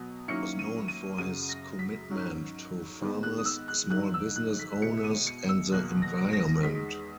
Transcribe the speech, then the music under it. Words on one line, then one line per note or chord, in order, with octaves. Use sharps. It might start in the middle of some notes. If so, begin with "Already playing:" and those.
He was known for his commitment to farmers, small business owners, and the environment.
Already playing: B2 F#3 B3
D#3 F#3 A#3 C#4 E4 C#7
D#7
D#7
F#2 C#3 F#3 D#7
A#6
B6
G#2 F#3 C#4
G#2 D#3 G#3 B3
F#6
D#6
E6
F#6
G#2 D#3 F#3 F#6
E6
F#6
B6
B2 G#3 B3 E4 C#7
D#7
C#7
E6
E2 B2 A#3 F#6
A#6
A#6
E2 D#3 G#3 B6